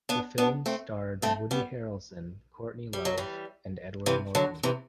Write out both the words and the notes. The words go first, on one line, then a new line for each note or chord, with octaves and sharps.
The film starred Woody Harrelson, Courtney Love and Edward Norton.
B3 D4
B3 D4
A3 C4
A3 C4
G3 B3
G3
F#3
E3 G3
C3 E3
D3 F#3
C3 E3